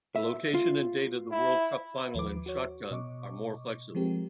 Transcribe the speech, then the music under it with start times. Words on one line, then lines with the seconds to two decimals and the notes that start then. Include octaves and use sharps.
The location and date of the World Cup Final in shotgun are more flexible.
0.16 E5
0.54 F4
1.32 E4
2.15 D#2 F3 B4 D6
2.46 F#4 C#5
2.91 B2 D#5 C#6 D6
3.95 F3 G#3 C4 G4 A#4